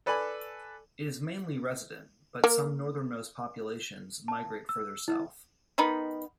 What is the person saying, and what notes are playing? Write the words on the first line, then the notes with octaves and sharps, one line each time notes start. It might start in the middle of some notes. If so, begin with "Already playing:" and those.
It is mainly resident, but some northernmost populations migrate further south.
A4 B4 D5 G#5 B5
A#3 A#4
A5
E6
E4
D#3 B3 D#4 B5